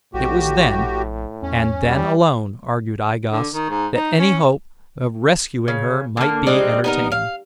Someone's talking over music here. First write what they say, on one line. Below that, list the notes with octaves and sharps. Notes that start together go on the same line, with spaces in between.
It was then, and then alone, argued I-Gos, that any hope of rescuing her might be entertained.
A#1 A2 F#4 G4
E2 C#4
G3
D3
D#3
G#2
D#4
C#4
C#3
D3 A#3
G3 G#3 C4 D#4
B3 D#4 A#4
F5